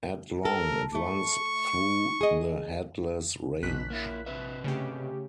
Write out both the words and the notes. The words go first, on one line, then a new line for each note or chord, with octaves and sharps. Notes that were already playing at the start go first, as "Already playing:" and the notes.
At long, it runs through the Headless Range.
A4 A#4
A3 C#6
G#4 D#5
A#1 B2 F#6 B6
A#3 E4
C3 B4 E5
C#3 A3 G4